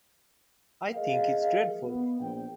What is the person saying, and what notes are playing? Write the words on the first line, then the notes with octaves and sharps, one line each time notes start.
I think it's dreadful.
G#4 A#4 D#5 F5
B3
A#1 G5